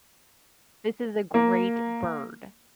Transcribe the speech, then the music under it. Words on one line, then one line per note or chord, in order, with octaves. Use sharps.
this is a great bird.
A#3